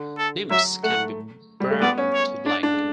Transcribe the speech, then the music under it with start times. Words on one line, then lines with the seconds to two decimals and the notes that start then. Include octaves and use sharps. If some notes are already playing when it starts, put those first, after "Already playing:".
Nymphs can be brown to black.
Already playing: D3
0.18 A4
0.50 F#3 E5
0.83 A3 F#5
1.60 G3
1.70 A3
1.81 B3 D5
1.98 C#4
2.14 C#5
2.46 D4 D5
2.63 D4